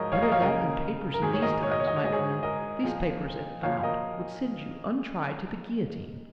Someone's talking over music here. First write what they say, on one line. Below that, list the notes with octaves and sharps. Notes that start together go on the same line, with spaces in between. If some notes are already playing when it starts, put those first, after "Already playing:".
"Better that than papers in these times, my friend: these papers, if found, would send you, untried, to the guillotine."
Already playing: G#2 F3 A#4 C#5 D#5
C#5 F5
A#4 D#5
C#5 F5
C#3 A#3 A#4 D#5
A#4
G#2 D#3 G#3 G#4
C#5
A#4 D#5
C#5
D#5
C#5
D#5
C#5
G#2 G#3 D#5
G#4 C#5
A#4 D#5
A#2 F3 G#3
A#2 F3 A#3 C#5 F5
F5
A#4 D#5